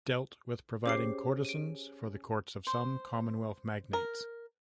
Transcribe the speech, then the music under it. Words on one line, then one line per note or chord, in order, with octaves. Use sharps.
Dealt with providing courtesans for the courts of some Commonwealth magnates.
C#4 G4 G#4 C5 D6 C7
D7 D#7
C5
A#4